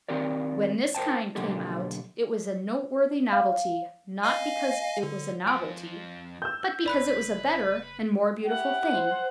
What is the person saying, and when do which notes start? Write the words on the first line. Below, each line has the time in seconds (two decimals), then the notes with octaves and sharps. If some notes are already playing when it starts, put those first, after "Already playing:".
When this kind came out it was a noteworthy novelty, not because it was a novelty, but because it was a better and more beautiful thing.
0.09 D#3 C4 G4 A#4 D5
0.95 A#4 C5 G5 A5
1.35 B1 D3 F#3 A#3 G4 A4
3.32 F5
4.23 D#5 F5 G#5
5.03 D3
5.47 F2 F3 G#5
6.42 E6 G6
6.86 F#1 B4 D5 B5 F#6
8.45 E4 G4 F#5
8.95 C5